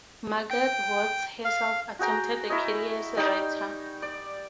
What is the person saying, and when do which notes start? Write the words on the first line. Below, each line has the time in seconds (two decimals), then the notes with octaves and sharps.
Margaret Watts herself attempted a career as a writer.
0.50 G5
1.45 F5
1.99 F#4 G#4 G5 A#5
2.50 E4 A#4 C#5 D#5
3.17 G3 D#4 G5
4.02 D5